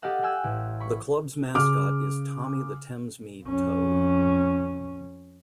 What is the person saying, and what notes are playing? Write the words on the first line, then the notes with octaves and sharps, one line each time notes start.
The clubs mascot is Tommy The Thamesmead Toad.
G4 A4 D#5 F5 F#5 E6
F5 G5 G#5 E6 F#6
A1
B5 C#6
C#3 D6 F6
F2 C#4